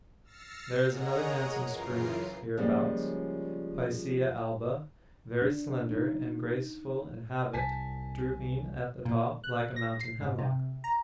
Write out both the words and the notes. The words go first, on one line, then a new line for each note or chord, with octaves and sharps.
There is another handsome spruce hereabouts, Picea alba, very slender and graceful in habit, drooping at the top like a mountain hemlock.
E6 F6 A6 A#6 C7 C#7
G#4 A#4 C#5 D#5 F#5 A#5
F#2 C#3 E3 F4 A#4 C7
C#3 F3 G3 G#3 A#3 C#4
D4
D#4
C2 G#5 A5 B6
A#2
F#6
A#6
C7
G#2
C3
A#5